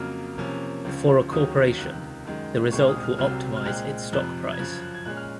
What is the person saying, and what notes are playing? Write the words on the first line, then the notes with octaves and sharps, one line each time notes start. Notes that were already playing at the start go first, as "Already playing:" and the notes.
For a corporation, the result will optimize its stock price.
Already playing: F2 C#3 F#3 A#3 F6
C3 F3 A#3 C#4
C#2 C#3 F3
D#2 D#3 F#3 C#4 D#6
C#2 C3 D#3 F#6
F#2 D#3 G#3
C2 A#2 G#3 C4 C#6
F6
D#6
D#6
F6
C2 C3 F#3 C4 F6
F6
A#2 G#3 C4 F#6
F2 C3 F3 F#6
G#6
F#2 C#3 F3 F#6
G#6
F#6
G#6
A#2 G#3 C#4 F#6
F6